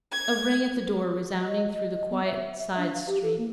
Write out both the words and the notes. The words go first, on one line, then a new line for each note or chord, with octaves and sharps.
A ring at the door, resounding through the quiet side street.
G#6
D#5
D#5
D#5
B3
E5
E5
D4
F5
G4
A4
A#3